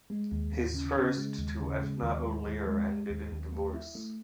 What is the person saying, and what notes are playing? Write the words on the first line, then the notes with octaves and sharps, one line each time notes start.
His first, to Edna O'Lier, ended in divorce.
G#3
D#2
D#2
C#3
C#3
G#3
D#2
C#3
G#3
D#2
G#3
D#2
G#3
G#3
D#2
D#2
A3
E4
A3